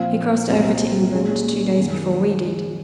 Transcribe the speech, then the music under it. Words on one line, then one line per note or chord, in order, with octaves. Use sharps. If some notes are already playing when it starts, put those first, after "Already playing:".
He crossed over to England two days before we did.
Already playing: A#2 F3 C4 F5
C2 A#2 F#3 C4
A#2 G#3 C#4
F#2 D#3 A#3 C#4